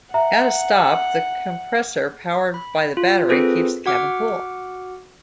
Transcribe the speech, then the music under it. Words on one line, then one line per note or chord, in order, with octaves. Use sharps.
At a stop, the compressor powered by the battery keeps the cabin cool.
E5 F#5 A#5
B5
F4
C4 F4 G#4 A4 B4 C5
F#4 F#5 D6 F6